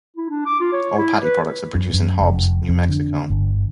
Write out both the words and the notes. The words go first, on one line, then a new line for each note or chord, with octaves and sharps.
All patty products are produced in Hobbs, New Mexico.
E4
D4
D6
F4
C#5
E4
B4
F#2
F#2
F1
F2
D3
G1